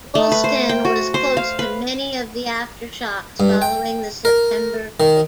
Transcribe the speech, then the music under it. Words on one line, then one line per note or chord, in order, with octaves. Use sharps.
Rolleston was close to many of the aftershocks following the September quake.
A3
B4
C5
G5
F#4
C5
F5
B4
G2
G5
A#4
D#3